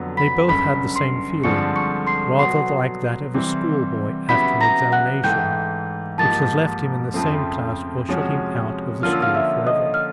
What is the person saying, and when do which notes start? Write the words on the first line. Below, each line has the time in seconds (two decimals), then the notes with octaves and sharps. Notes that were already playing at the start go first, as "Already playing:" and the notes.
They both had the same feeling, rather like that of a schoolboy after an examination, which has left him in the same class or shut him out of the school forever.
Already playing: F2 D3 F#3 B3
0.17 B5 B6
0.49 G1 F#2 C#3 B5 B6
0.96 C6 C7
1.44 G2 D3 F3 G#3 C4 C#6 C#7
1.76 C#6 C#7
2.07 C6 C7
2.38 B2 F#3 B3 C6 C7
3.34 C3 E3 G3 C4
4.29 C#3 F#3 B3 E4 G4 B5 B6
4.61 A#5 A#6
4.92 F#5 F#6
5.24 G#2 E3 A3 G5 G6
6.18 G#2 F3 A#3 D#4 G4 A5 A6
7.14 F2 C#3 F3 A3 C4
8.09 C3 F3 G#3 C#4 F#4
9.03 D3 F3 A#3 C#4 F4 F6
9.13 E6
9.22 F5 F6
9.35 E5 E6
9.67 D#5 D#6
9.94 F6